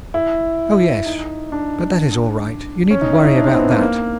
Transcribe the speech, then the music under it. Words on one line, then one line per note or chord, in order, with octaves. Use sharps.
"Oh yes! but that is all right; you needn't worry about that!"
E4
D#4
D4
C#4
D#4
E4
D#4
D4
C4
B3
A#3
A#3